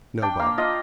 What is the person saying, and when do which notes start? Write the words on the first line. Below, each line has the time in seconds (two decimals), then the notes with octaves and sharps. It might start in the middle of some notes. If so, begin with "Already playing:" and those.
No Bob.
0.22 D4 G5
0.39 A#3 F5
0.58 F4 D#5